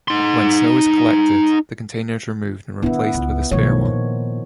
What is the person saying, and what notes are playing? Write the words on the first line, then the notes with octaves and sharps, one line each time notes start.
When snow is collected, the container is removed and replaced with a spare one.
D#4 C6
D#3 B3 D4 E4
C#2
B1 D#3 F3 A3 C#5
A#2